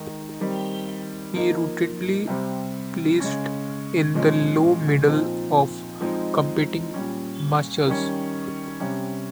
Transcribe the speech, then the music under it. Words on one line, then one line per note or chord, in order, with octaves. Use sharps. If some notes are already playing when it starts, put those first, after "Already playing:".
He routinely placed in the low middle of competing mushers.
Already playing: D#3 G#3 D#4
D#3 G3 C4
F3 A#3 D#4
C3 G3 C4
C#3 G#3 C#4
A#2 F3 G#3 C#4
A#2 F3 C4 D#4
F3 G#3 C4 D#4
A#2 G3 C#4
D#3 G3 C#4
C3 G3 C#4